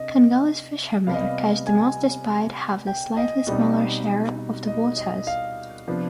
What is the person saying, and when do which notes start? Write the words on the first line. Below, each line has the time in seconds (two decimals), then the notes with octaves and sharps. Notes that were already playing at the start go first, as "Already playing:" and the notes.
Congolese fishermen catch the most despite have the slightly smaller share of the waters.
Already playing: C3 D4 D#5
1.07 C3 G3 B3 F5
1.14 D#5
1.21 F5
1.67 G#5
2.87 G5
3.17 D#5
3.47 B2 G3 C4 D#4
4.67 D#5
4.97 D#5
5.27 F5
5.88 C3 F3 B3 D4